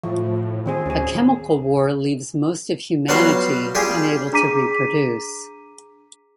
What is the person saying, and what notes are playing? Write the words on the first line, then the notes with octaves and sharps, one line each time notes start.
A chemical war leaves most of humanity unable to reproduce.
A2 F3
D#3 C4 G#4
D2 C#4 G#4
F#3 G3 B3 F4 C5 F5
G3 F4 G4 G#4
D4 G#4 A#5 D6 B6 D#7